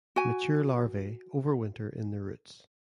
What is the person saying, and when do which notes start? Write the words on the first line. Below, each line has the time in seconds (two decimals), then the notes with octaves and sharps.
Mature larvae overwinter in the roots.
0.16 F#4 G#5